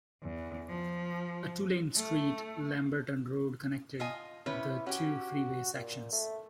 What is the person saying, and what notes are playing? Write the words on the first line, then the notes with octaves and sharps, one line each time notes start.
A two-lane street, Lamberton Road, connected the two freeway sections.
E2
F3
A3
F4 D#5 G#5
C3 C#4 E4 B4
C#4 F#4 G4
A#2
A3